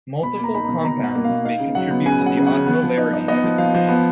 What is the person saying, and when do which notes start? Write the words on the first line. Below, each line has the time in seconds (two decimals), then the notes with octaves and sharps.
Multiple compounds may contribute to the osmolarity of a solution.
0.23 B2 B5
0.38 A#3
0.44 A#5
0.54 D#4 B5
0.64 B2 A#5
0.84 B2 A#5
0.99 B2 F#5
1.15 A#3
1.24 B2 F5
1.44 D#4 F5
1.60 C#3
1.75 F#3 F#5
1.91 B3
2.06 C#3 G#5
2.21 F#3
2.26 F#5
2.37 C#3
2.47 F#5
2.52 C#3
2.66 B3
2.83 F3
2.98 D#4
3.13 D#4
3.28 B3 D#5
3.44 F3
3.58 F3 F5
3.74 F3
3.89 B3